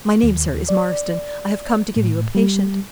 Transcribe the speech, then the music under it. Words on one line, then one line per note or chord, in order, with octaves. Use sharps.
"My name, sir, is Marston; I have come to give you a patient."
D#2
D5
A2
G3